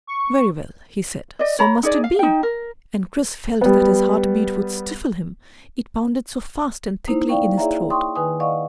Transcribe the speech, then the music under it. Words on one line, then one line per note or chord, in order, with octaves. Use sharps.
"Very well," he said, "so must it be," and Chris felt that his heartbeat would stifle him, it pounded so fast and thickly in his throat.
C#6
D5 D#5
C#5 A#5 B5
D#4 G#4 D5
F5
D#4 G5
A#4
G3 B3
A#3 D#4 E4 C5
D5 F5 G5 C#6
E4 G#4 C#5 D5 E5 A#5
G5 C6 C#6 D#6
D#3 B4 G#5 D#6
D5 D#5 F5 F#5 C#6